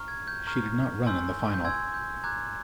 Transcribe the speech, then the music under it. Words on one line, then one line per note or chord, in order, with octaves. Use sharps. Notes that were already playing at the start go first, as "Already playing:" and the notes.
She did not run in the final.
Already playing: A#5 C#6 F6
G#6
G6
A#5 C#6 F6
G#5 C6 E6 G6
G6
G#5 C6 E6 G6 G#6
G6
A#5 D6 F#6 G#6